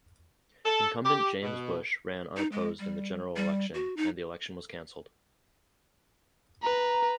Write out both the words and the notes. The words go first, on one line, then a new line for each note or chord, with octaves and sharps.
Incumbent James Bush ran unopposed in the general election and the election was canceled.
A4
G4
B2
D#4
G#3
G3
G3
F#4
D#4
B4 A#5